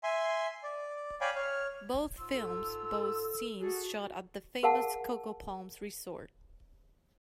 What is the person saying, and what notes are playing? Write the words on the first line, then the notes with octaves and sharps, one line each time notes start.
Both films boast scenes shot at the famous Coco Palms resort.
E5 G#5 C6
D5
C#5 D5 F5 G5 G#5 B5
C#5 F6
G#2 F4 E6
A4
F#4 G#4 A4
G#4 A#4 F5 F#5 A5